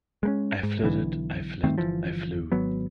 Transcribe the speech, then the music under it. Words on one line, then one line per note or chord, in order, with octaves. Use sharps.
I flitted, I fled, I flew.
G#3 A#3 C#4
G#2
B1 D3 E3
G2 D#3 A3 C4
G1 E2 E3 F3
G#1 F#3 B3